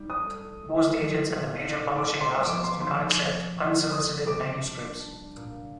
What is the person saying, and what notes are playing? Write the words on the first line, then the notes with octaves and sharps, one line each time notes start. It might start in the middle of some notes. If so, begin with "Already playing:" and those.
Most agents and the major publishing houses do not accept unsolicited manuscripts.
Already playing: G3 D#4
D#6
A4
A3
D#4
A#2
D#4 D6
D6
A3
C6
F3 D6
C6
D#4 C6
D6
C3
C3
G3 D#6
G3 D6
D4
D4
A#2